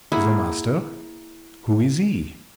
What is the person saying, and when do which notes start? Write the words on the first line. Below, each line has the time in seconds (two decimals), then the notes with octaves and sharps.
"The master?--who is he?"
0.12 A#3 E4 G#4 F#5